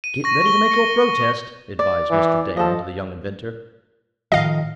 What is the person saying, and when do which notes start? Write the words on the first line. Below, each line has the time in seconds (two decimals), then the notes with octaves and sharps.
"Get ready to make your protest," advised Mr. Damon to the young inventor.
0.04 D#7
0.24 C#6 A#6
0.42 C#6 G7
0.71 C#7
1.79 D5
2.10 E3
2.57 F3 A4 D#5
4.32 A2 D#3 F3 D#5 F5